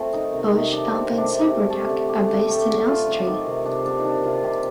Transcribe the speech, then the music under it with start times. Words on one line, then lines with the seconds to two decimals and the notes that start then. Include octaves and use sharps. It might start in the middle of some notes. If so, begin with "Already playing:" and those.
Bush, Alba and Cyber-Duck are based in Elstree.
Already playing: A3 C4 F4
0.13 D#3 D#4
0.33 C3
0.52 C3 D#4
0.72 A3 D4
0.86 D4
0.92 D#3 C4
1.11 C3
1.18 D4
1.30 C3
1.44 G4
1.50 A3
1.70 A3 A4
1.90 D3
2.09 A3 G4
2.28 D3
2.48 A3 G4
2.68 D3
2.87 A3 F4
3.07 D3
3.18 D4
3.26 D#3 D#4
3.46 C3
3.65 C3 D4
3.85 A#3 D4
3.98 D#4
4.04 D#3 D4
4.24 C3 F4
4.35 F4
4.44 C3 G4